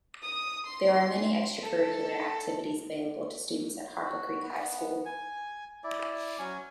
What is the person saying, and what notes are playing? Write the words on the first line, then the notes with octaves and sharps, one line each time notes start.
There are many extracurricular activities available to students at Harper Creek High School.
D#6
C6
A4
F#4
B3
G#5
E4 D5
F#3 C#4 G#5